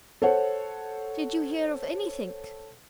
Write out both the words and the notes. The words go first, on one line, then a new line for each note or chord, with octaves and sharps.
"Did you hear of anythink?"
A4 C5 C#5 F#5